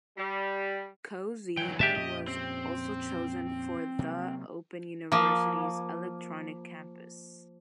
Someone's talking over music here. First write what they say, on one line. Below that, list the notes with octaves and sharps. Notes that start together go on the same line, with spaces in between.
CoSy was also chosen for The Open University's "electronic campus".
G3
E3 F#3 G5
A2 D#3 G#3 D4 G4 E5 A5
F2 A#2 C#4 D#5
C4
C3 F#3 A#3
F3 A#3